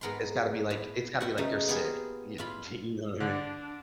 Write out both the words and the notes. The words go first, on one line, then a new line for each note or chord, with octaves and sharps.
It's gotta be, like it's gotta be, like, you're sick, you you know what I mean.
G#2 B3 A#4 B5 C6
A2
B3 F#4 G5
C#3 A3 D#4
A#3 B3 F4 G4 G#4
A2 F4 B5
D3 D4